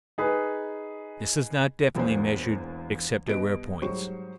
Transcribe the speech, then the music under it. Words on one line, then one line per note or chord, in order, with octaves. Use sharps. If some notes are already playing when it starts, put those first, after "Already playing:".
This is not definitely measured except at rare points.
D#4 G#4 B4
E1 E2 A#2 B3 C5
B2 G3 B4 D#5 D7
G#2 F#3 G3 C5 C#6